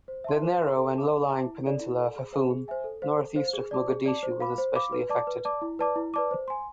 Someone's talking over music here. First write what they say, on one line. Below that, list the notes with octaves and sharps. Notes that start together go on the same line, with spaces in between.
The narrow and low-lying peninsula of Hafun, northeast of Mogadishu, was especially affected.
C5
E5 A5 C6
C5
E5 A5 C6
A4
E5 A5 D6
A4
E5 A5 D6
E4
A4 D5
E4
A4 D5
G#4
C5 E5 G#5
G#4
C5 E5 G#5
A4
C5 F5
A4
C5 F5
G#4
D5 A5 D6
G#4
D5 A5 D6
C5
F5 B5 D6
C5
F5 B5 D6
B4
D5 A5 D6
B4
D5 A5 D6
E4
B4 D5 A5 D6
E4
B4 D5 A5 D6
C5
G#5 C6